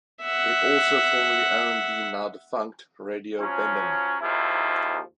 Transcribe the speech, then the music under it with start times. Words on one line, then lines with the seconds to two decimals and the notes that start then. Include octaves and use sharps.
It also formerly owned the now defunct Radio BemBem.
0.23 E5 F#5
3.40 F3 F#3 C#4
4.21 D#2 G#2 F3 E4